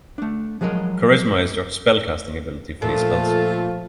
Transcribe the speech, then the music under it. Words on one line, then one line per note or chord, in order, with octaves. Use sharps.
Charisma is your spellcasting ability for these spells.
A3 D4
F3 F#3 G#3 A#4 D#5
A#2 F3 A3 F4 A4